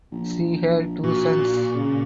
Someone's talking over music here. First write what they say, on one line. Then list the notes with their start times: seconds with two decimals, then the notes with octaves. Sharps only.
She had two sons.
0.12 A#1
1.03 A#2 F#4
1.75 C#3